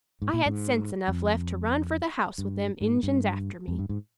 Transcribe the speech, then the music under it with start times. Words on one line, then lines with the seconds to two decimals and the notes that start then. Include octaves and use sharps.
I had sense enough left to run for the house with them Injuns after me.
0.22 G#2
0.34 A#2
0.46 G#2
1.08 F2
2.38 G2
2.81 G#2
3.03 G2
3.68 F2
3.79 G2
3.89 G#2